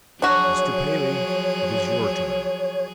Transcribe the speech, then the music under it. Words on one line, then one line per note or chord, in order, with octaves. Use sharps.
"Mr. Paley, it is your turn."
F3 F#3 D4 F#4 G#4 C#5